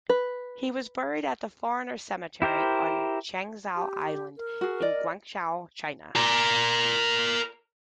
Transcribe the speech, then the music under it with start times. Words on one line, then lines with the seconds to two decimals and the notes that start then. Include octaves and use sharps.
He was buried at the foreigners' cemetery on Changzhou Island, in Guangzhou, China.
0.09 B4
2.42 E4 G4 A#4 C5
3.76 G4
4.37 A#4
4.61 F#4 G#4
4.82 D5 D#5
6.16 A#4 D5